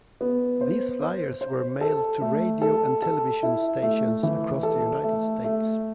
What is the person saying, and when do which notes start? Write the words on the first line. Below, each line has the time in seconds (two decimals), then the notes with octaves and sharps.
These flyers were mailed to radio and television stations across the United States.
0.21 B3
0.61 C5
1.01 C5
1.41 C5
1.81 A4
2.22 A3
2.62 A4
3.02 A4
3.43 E4
3.83 A3
4.23 E3
4.63 A4
5.04 A3
5.44 A3